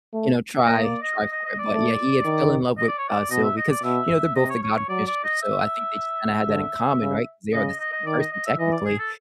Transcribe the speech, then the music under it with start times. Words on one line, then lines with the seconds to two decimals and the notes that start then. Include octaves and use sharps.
you know, try try for it, but yeah, he had fell in love with, uh, Sylvie 'cause, you know, they're both the God of mischief, so I think they just kinda had that in common, right? 'Cause they are the same person technically,
0.13 A3
0.66 A#3 D#5
0.84 D5
1.02 D#5
1.19 D#5
1.32 D#5
1.46 D#5
1.59 D5
1.72 A3
2.25 D#3
2.78 D#5
2.88 D5
2.98 C#5
3.08 D5
3.30 B2 D#5
3.44 E5
3.57 D#5
3.70 D5
3.83 B2 E5
4.36 C3 D#5
4.50 C#5
4.63 C#5
4.76 C#5
4.89 F#3 D5
5.07 D5
5.24 D#5
5.42 E5
6.47 D3
7.01 C#3
7.53 C#3 D#5
7.66 D#5
7.79 D#5
7.92 D#5
8.06 D#3 D5
8.20 D#5
8.33 D#5
8.46 E5
8.59 E3 D#5
8.72 D5
8.85 G#4
8.99 A4